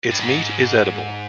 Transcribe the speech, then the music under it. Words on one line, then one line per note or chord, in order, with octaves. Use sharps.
Its meat is edible.
G2
G#2